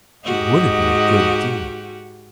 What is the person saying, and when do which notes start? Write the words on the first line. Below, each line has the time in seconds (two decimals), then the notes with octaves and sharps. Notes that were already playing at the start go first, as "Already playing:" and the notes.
It would have been a good deal.
0.24 G#2 F#4 G4 D#5